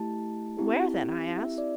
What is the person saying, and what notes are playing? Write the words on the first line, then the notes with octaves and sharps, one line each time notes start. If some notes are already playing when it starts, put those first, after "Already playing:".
"Where then?" I asked.
Already playing: A3 E4 G4 A5
C4 E4 G4
E5
D5